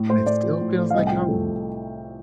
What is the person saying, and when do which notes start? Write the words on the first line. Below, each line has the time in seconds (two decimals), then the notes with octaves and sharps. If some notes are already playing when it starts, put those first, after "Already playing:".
And it still feels like home.
Already playing: A2
0.09 A3 C5
0.26 A2 D5
0.43 F3
0.60 A2
0.78 A3
0.90 F5
0.94 C2 D#5
1.07 G5
1.11 F3
1.28 A3